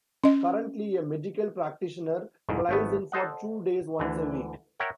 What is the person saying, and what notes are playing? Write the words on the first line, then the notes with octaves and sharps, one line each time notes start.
Currently a medical practitioner flies in for two days once a week.
C#4 D#5
C2 F2 G#2
G#1 A3 B3
A4 C5 D#5 F#5
D2 D3 E3
A#4 C#5 E5 F#5 G5